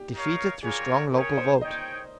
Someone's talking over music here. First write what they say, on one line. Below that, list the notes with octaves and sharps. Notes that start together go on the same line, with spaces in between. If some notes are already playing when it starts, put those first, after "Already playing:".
Defeated through strong local vote.
Already playing: G4
D#4 A#4 C#5 F5
G3 A#3 F4 G#4 A#4 C#5
C#4 G#4 A#4 C#5 G5
C5
D#4 G#4 C#5 D#5 G5